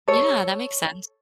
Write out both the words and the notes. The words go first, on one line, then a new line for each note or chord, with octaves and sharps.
Yeah, that makes sense.
A4 C#5